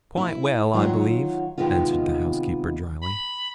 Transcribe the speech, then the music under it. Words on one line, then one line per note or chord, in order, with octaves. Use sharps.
'Quite well, I believe,' answered the housekeeper, drily.
E4
D#3 F#3 F4 C#5 F#5
C3 D#3 G#3 B3 F4
B5